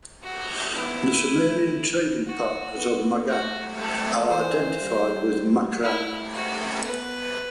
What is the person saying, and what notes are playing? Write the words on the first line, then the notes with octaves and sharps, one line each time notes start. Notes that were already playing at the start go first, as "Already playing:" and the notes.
The Sumerian trading partners of Magan are identified with Makran.
F#4
B3 E4
A3
F#4
B3
A3 F#4
A4
E3 C5
G3
A3 E4
F#4
B3 B4